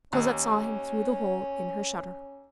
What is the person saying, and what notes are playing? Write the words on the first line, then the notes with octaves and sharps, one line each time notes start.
Cosette saw him through the hole in her shutter.
D#2 C#4